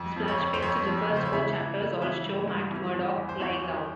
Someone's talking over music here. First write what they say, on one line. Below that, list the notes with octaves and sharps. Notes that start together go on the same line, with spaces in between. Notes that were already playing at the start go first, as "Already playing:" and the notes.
The splash pages of the first four chapters all show Matt Murdock lying down.
Already playing: F2
F3
C#5
F2
C5
F2 C#5
F3
C#3
C5
C#5
E3 E5
E3
E3
E3 E5
G2
G2
E3
E3
E2
C5
E3 C#5
E3